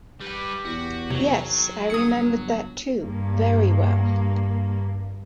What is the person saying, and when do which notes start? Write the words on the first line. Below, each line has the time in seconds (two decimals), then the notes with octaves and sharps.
Yes, I remembered that too, very well.
0.21 G3 G4 B4
0.65 E2 F#4
1.11 C3 D#3 F#3 G#4
1.90 G1 D#6 C#7
2.98 G2 A#3